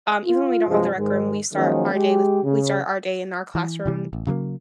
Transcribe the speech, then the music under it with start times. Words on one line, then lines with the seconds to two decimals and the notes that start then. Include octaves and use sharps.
Um, even when we don't have the rec room, we start our day with we start our day in our classroom
0.26 F4
0.67 G2 C3 F3 F#3 G#3
0.97 G#2 D#3 G#3
1.53 D#3 F3 F#3 G#3 A#3 C#4
1.93 G#3 G4
2.43 C#3
3.55 E3
3.86 C3 E3 G3
4.13 A1
4.27 C#3 F#3 G3 A#3